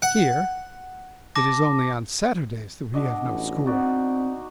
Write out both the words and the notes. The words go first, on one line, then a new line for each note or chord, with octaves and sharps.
Here, it is only on Saturdays that we have no school.
F#5
A5 D6 A#6
B2 D4 D#5
A1
C4 D#4 F#4 D5